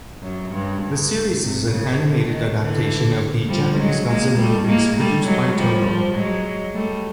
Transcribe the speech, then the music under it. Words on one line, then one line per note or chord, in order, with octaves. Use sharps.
The series is an animated adaptation of the Japanese "Godzilla" movies produced by Toho.
F#2
G2
G2
C3
C#3
D3
D#3
D3 E3
F3 G3
F#3 G#3
G#3 A#3
G3 A3
G#3 A#3
G3 A3
F#3 G#3
F3 G3
F3 G3
F#3 G#3
G3 A3